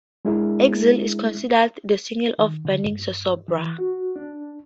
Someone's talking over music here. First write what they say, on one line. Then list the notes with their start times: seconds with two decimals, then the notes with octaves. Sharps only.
"Exiled" is considered the single of "Burning Sosobra".
0.25 G#3 D4 E4 G#4 A#4 E5
2.38 D#3
2.65 D3
2.85 G2
3.48 E3
3.79 F#4
4.16 D4